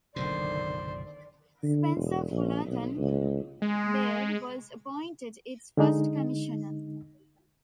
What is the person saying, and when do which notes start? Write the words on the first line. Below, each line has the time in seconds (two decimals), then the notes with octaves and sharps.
Spencer Fullerton Baird was appointed its first commissioner.
0.16 F#1 B1 A#2 D3 D#3 C5 D5
1.63 D3
1.96 E1
2.30 A#1
2.65 B1
2.97 C#2
3.62 G#3
5.77 D3 G#3 D#4